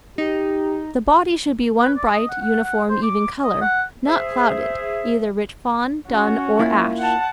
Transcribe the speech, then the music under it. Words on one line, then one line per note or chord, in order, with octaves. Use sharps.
The body should be one bright, uniform, even colour, not clouded, either rich fawn, dun, or ash.
D#4 G4
B4
D5
D#5
F#5
F#5
F#5
C5
D6
D#5
F#5
G#4 C5 E5
C#4 F#4
A#3 E4 F4
F#5 A5